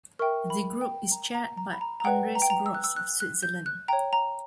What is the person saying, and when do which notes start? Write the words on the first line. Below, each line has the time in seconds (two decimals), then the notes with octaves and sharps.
The Group is chaired by Andreas Gross of Switzerland.
0.19 A#4 E5 G5 C#6
0.50 B5
0.81 G5
1.12 A#5
1.35 A#5
1.57 A#5
1.73 B5
1.81 A#5
2.00 A#5
2.05 B4 D5 F#5 G5
2.35 A#5
2.42 G5
2.50 A#5
2.66 E6
2.75 F#6
2.84 E6
2.96 F#6
3.20 F#6
3.43 G6
3.66 F#6
3.88 C#5 G5 A#5
4.13 A#5